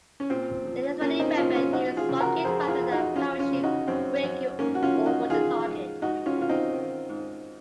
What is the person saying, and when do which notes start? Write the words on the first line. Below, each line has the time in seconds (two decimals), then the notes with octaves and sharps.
The Israeli weapon used rocket rather than parachute braking over the target.
0.20 C#4
0.30 A#2 C4
0.66 F3
1.01 F3 A#3 C#4
1.19 C4 D#4
1.37 A#2 C#4 F4
1.55 C#4 F4
1.73 F3 D#4 F#4
1.97 F4 G#4
2.09 C#3
2.21 F#4 A#4
2.44 F2 G#4 C5
2.68 F4 G#4
2.80 F2
2.92 D#4 F#4
3.16 F3 C#4 F4
3.39 C#4 F4
3.52 C#3
3.63 D#4 F#4
3.88 F#2 C4
4.23 F#2
4.59 G#2 A#3 C#4
4.75 F#4
4.83 C#4 F4
4.94 D#3
5.06 D#4 F#4
5.30 D#3 F4 G#4
5.66 G#2
6.02 G#2 D#4 F#4
6.26 C#4 F4
6.37 D#3 F4
6.49 C4 D#4
6.73 D#3
7.09 G#2